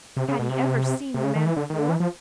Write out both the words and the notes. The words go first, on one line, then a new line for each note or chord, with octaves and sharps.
Had he ever seen the man before?
C3
C#3
B2
C3
C3
C#3
D#3
E3
D3
D#3
D3
E3
F3